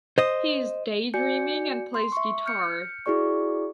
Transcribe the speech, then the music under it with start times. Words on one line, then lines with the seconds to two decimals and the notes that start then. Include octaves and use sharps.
He is daydreaming and plays guitar.
0.18 C5 D#5
1.14 F#4 D5 G#5 G6 C#7
1.94 C6
2.12 E5 C#6
2.46 F6 G6 C#7
3.06 E4 F#4 G#4 D5 C#6